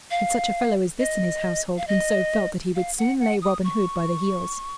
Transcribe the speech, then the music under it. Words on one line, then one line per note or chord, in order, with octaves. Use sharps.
With such a fellow as this in his household Monceux felt that he would soon lay Robin Hood by the heels.
F5
D#5
F5
D#5
F5
F#5
F#5
D#6
C#6